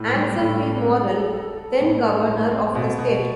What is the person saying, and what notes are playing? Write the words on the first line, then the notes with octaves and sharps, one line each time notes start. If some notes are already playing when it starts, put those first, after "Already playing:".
Anson P. Morrill, then governor of the State.
Already playing: A2
G3
A2
D4
G3
A4
A4
A4
A2
A4
A2
C4
B2
B2